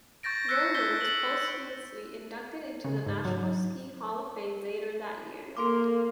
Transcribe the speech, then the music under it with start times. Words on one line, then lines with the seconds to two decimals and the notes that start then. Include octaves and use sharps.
Werner was posthumously inducted into the National Ski Hall of Fame later that year.
0.23 C#6 G6 A6 A#6 D7
0.49 E6 F#6 A#6 B6 C#7
0.74 E6 G6 A6 B6 G7
1.01 F#7
2.84 C#3
3.06 G#2
3.25 F#3
5.57 A#3 A4 C6 D6